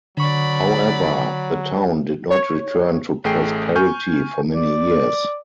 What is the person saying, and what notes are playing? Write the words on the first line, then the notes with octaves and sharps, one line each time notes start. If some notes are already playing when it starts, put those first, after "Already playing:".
However, the town did not return to prosperity for many years.
D3 F#3 D5 B5 C#6
C#5
A1 A3 G#4 G5 C7
G#5 C#6 F6 G6
D5